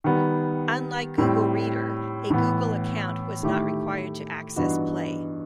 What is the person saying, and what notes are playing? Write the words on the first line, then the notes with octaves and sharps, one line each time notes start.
Unlike Google Reader, a Google Account was not required to access Play.
D#3 G3 B3
A2 G3 C4
A2 E3 B3
D#3 A3 E4 G4
G2 E3 B3 D#4 F#4